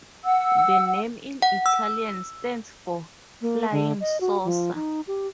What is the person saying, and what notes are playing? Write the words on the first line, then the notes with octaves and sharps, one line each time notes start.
The name in Italian stands for "Flying Saucer".
F#5 E6
F#5
E6
A#3
D3
D#5
F#4
F3
D#4
G4